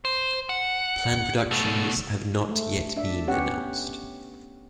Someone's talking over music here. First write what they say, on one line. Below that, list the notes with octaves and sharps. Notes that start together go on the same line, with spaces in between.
Planned productions have not yet been announced.
C5
F#5
B2 A3
A3
D4 E5
B3 C#4 G4 C#5 F#5